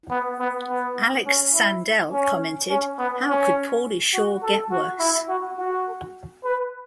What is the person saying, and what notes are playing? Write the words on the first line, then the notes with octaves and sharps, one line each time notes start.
Alex Sandell commented How could Pauly Shore get worse?!?
B3
B3
B3
C#4
E4
C#4
C#4
B3
C#4
F#4
A4
F#4
E4
F#4
F#4
B4